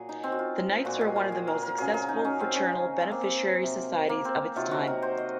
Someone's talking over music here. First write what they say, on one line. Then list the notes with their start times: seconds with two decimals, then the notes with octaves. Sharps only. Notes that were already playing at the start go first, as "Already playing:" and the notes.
The Knights were one of the most successful fraternal beneficiary societies of its time.
Already playing: A#2 F#3 G#4
0.09 D#4
0.24 C4
0.32 F#4
0.39 F4
0.85 A#2 G#3 F#4
1.01 G#4
1.16 A#4
1.32 G#4
1.47 A#4
1.63 A#4
1.78 C#3 F#3 G#4
1.94 G#4
2.09 D#4
2.25 C#4
2.40 C4
2.55 C#4
2.71 C#3 G#3
3.02 C4
3.11 A#3
3.22 C4
3.63 C3 F#3
4.09 A#3
4.25 C4
4.56 C3 D#3 F#3 F4
4.71 F#4
4.87 A#4
5.02 C5
5.18 D#5